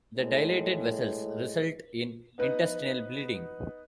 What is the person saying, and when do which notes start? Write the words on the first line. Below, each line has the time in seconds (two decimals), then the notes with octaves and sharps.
The dilated vessels result in intestinal bleeding.
0.16 A2 G#3
2.38 B3 D#4 B4